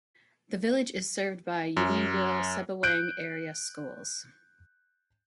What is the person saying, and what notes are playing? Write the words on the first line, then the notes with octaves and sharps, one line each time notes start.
The village is served by Unionville-Sebewaing Area Schools.
F#2
F#6 G6 D7